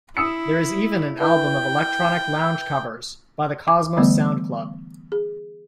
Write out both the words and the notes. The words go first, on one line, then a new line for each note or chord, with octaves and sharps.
There is even an album of electronic lounge covers, by the Cosmos Sound Club.
E4 D#6 E6 C#7
E4 B4 G5
E5 D6
D3 E3 G3 A3 B3
G#4